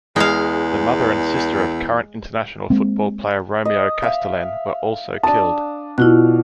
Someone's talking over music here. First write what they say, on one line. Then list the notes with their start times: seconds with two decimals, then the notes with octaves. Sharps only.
The mother and sister of current international football player Romeo Castelen were also killed.
0.16 E2 G#3 F5
2.70 G#3 A#3 C4
3.65 D#5
4.02 E5 F5
5.23 D4 A5 D#6
5.98 B2 E4 F4 F6 F#6